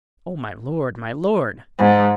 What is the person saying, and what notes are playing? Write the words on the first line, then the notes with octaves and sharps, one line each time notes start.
"Oh, my lord, my lord!"
G#2